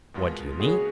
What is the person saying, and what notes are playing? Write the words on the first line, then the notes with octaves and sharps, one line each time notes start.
What do you mean?
B2 G#3 B3 F4 A#4
C#3 G#3 B3 F#4 G#4 C#5